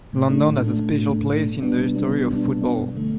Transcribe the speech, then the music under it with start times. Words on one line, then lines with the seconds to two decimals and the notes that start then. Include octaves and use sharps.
London has a special place in the history of football.
0.13 A2
0.30 A3 D4
0.46 A2
0.63 A3 D4
0.79 A2
0.96 A3 D4
1.12 A2
1.29 A3 D4
1.45 B2
1.62 G3 B3 D4
1.79 B2
1.94 G3 B3 D4
2.11 B2
2.29 G3 B3 D4
2.44 B2
2.62 G3 B3 D4
2.77 G2
2.94 D3 A3